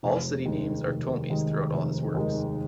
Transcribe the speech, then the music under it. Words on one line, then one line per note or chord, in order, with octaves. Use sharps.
All city names are Ptolemy's, throughout all his works.
F1
D#2 D#3 G#3
F1
D#2 D#3 G#3
F1
D#2 D#3 G#3